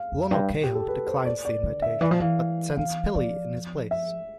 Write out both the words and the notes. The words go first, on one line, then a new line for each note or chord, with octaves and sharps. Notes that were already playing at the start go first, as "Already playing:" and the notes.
Lonokaeho declines the invitation, but sends Pili in his place.
Already playing: F5
F2
G2
B2
G4
A4
B4
C5
D5
D5
D3
E5
E3 D5
F3
E3 F5
E3 F5
F3 D5
E5